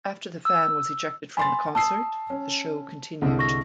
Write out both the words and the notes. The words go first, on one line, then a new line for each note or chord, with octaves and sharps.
After the fan was ejected from the concert, the show continued.
E6
G#5 B5 C6 A6
A5 D#6 E6 C7
C#4
C2 G#2 D3
C#6 A#6